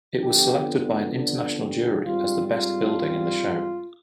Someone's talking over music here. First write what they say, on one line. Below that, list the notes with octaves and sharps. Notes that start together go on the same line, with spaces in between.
It was selected by an International jury as the best building in the show.
F2 D3 F3 B3 G4
C4
D4
G4
G#2 G3 C4 F4
F4